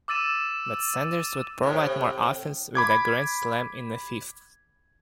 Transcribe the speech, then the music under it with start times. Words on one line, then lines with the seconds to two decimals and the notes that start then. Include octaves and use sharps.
But Sanders would provide more offense with a grand slam in the fifth.
0.08 D6 E6 A6 D#7 E7
1.63 A2 C3
2.75 B5 D6 G#6